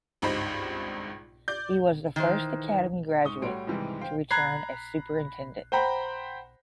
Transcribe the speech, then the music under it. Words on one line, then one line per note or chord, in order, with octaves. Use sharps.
He was the first Academy graduate to return as superintendent.
G#1 C#2 G2 D#4 C5 B5
D5 G6
D#3 E3 C5
G#2 C#6 D#6 G7
A2 G3 F#4 C#5 C6 D7
G#2 C3 D#3 E3 G3 G#3
C5 F5 G5
A#5 B5 F#6 G#6 C7
C5 F#5 G5 A#5 B5